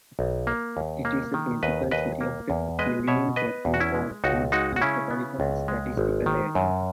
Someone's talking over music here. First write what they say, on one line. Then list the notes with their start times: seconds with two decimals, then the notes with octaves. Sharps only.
It is the principal city of the Killeen-Temple-Fort Hood Metropolitan Statistical Area.
0.19 B1
0.47 A#3
0.77 D#2
1.05 A#3
1.34 D#3
1.63 D#2 B4 D#5
1.91 D#2 B4 D#5
2.21 A#3
2.50 E2
2.79 G#3 B4 D#5
3.07 B2 C#5 E5
3.36 B3 B4 D#5
3.65 E2
3.74 F#4
3.80 C#4 E4
3.95 G#3
4.24 C#2 D#4 F#4
4.52 G#3 D#4 F#4
4.76 F#4
4.81 C#3 C#4 E4
5.11 B3
5.40 C#2
5.68 G#3
5.97 G#1
6.26 D#3
6.55 F#2